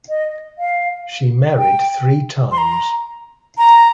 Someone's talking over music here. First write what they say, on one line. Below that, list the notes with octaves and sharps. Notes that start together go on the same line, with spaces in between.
She married three times.
D#5
F5
G5
C6
A#5
A#5